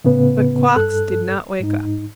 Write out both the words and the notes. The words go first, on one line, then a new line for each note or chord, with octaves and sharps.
But Quox did not wake up.
A2 C#3 B3 B4
G2 A4 F#6
G#2 D#4